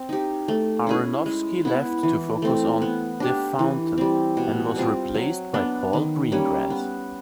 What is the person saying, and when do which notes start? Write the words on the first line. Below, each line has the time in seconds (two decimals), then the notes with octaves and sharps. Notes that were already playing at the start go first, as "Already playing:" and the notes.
Aronofsky left to focus on "The Fountain" and was replaced by Paul Greengrass.
Already playing: C4
0.09 D#4 G4
0.48 A3
0.87 C#4 E4 G#4
1.26 G#3
1.65 B3 E4
2.03 E3
2.42 A3 C4
2.82 B3
3.20 D4 G4
3.59 E3
3.98 G3 C4
4.37 B2
4.76 G3 C4 F4
5.15 F#3
5.54 B3 D4
5.93 D#3
6.32 G3 A#3 C#4
6.70 B3